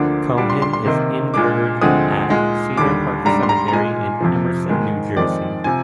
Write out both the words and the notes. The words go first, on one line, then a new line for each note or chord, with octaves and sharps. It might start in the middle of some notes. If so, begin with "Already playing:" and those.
Cohen is interred at Cedar Park Cemetery, in Emerson, New Jersey.
Already playing: D2 D3 F3 A#3 D4 D6
A#2 G3 D4 D6
C6
C6
C6
C3 D#3 A#3 D#4
A#2 G#3 D4 D6
D2 D3 F3 G#3 C4 D#6
A#2 G#3 D#4
D#2 D3 G3 D6
G#2 G3 D4 A#5
C6
A#5
A#5
A#2 G#3 D#4 G#5
F2 C3 F3
G#2 D#3 G#3
F2 D#3 G#3 C4 D#4 D5
C3 F3 G#5